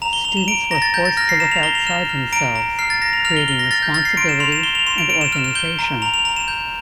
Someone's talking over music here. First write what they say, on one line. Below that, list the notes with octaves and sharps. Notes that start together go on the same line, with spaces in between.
Students were forced to look outside themselves, creating responsibility and organization.
A#5 F7
G7
A#5 F7
E7
A#5 D7
A#5 A#6
A6
A#5 G6
A6
F6 A#6
C7
A#5 E7
F7
A#5 G7
F7
F6 E7
F6
A#5 D7
A#5
F6 C7
A6
A#5 A#6
F7
F6 F7
G7
F6 G7
A#6
F6 A6
G6
F6 A6
C7
C6 D7
E7
C6 F7
E7
C6 G7
F7
C6 E7
D7
C6 D7
E7
F6 E7
E7
G6 G7
A#5
A#5 F7
F7
A#5 F7
E7
G6